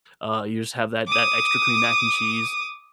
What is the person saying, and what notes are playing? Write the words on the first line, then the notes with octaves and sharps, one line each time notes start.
uh, you just have that that extra creamy mac and cheese,
D6 D#6